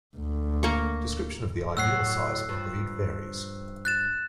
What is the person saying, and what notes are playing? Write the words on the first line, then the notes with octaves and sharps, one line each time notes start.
Description of the ideal size of the breed varies.
D2
A#3 C#6
A2 F#3 E6 F#6 C7
G2 F3
F#6 A6 E7